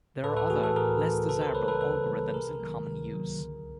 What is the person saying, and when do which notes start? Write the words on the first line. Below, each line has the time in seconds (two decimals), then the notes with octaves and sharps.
There are other, less-desirable algorithms in common use.
0.23 A2 A4 B4
0.37 A4 B4
0.50 E3 A3 F#4 G#4
0.63 A4 B4
0.76 A2 G#4 A#4
1.02 E3 A3
1.28 C#3 A4 B4
1.41 A#4 C5
1.55 E3 G3 A#3 B4 C#5
1.68 A4 B4
1.81 C#3 A4 B4
2.07 E3 G3 A#3
2.33 C3 G#4 A#4
2.60 D#3 F#3 A#3
2.85 C3
3.12 D#3 F#3 A#3
3.39 D3